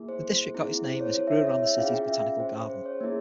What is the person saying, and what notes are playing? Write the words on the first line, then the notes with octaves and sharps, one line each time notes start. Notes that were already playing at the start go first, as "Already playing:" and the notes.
The district got its name as it grew around the city's Botanical Garden.
Already playing: A#3 E4 G#4
C5
C4 E4 G#4
C5
C#5
C5
E5
C#5
C#5
E5
C#4 F4 G#4 F5
G5
E5
C5
C5
C#5
A#3 E4 G#4